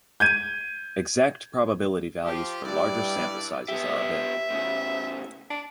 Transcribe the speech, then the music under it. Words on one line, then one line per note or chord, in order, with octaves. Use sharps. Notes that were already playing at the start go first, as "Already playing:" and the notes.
Exact probability values for larger sample sizes are available.
G6 G#6 D#7
F3 G4
G2 G3 E4 D5
B3 G4 E5
A2 C#3
D4